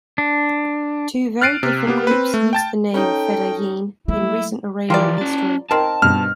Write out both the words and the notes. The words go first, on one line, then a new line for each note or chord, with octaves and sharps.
Two very different groups used the name Fedayeen in recent Iranian history.
D4
F6 F#6 A6 C7 D7 D#7
C3
A#3 B3 G4
C4 B4
A3
G5 A5 A6
C#4 D#4 A4 G5
F#3 A3 A#3 E4
E3 F3 F4 G4 A#4 D5
C#4 A5
D#3 C4 A#4 A5
G2 B2 F6